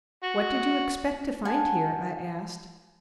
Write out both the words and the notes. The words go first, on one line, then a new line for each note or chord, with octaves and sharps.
"What did you expect to find here?" I asked.
F#4
F#5 G#5 A5